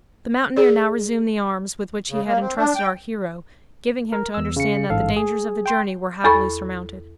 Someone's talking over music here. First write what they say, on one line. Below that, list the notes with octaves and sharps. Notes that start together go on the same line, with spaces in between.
The mountaineer now resumed the arms with which he had entrusted our hero, giving him to understand that the dangers of the journey were happily surmounted.
G#4 D5
C#3
A#3
C4
D4
G5
A#4
E2 E6
C#3 C#7
A1 G#2 A4 F5
G#4
G5 C6
E2 A4 B5 C#6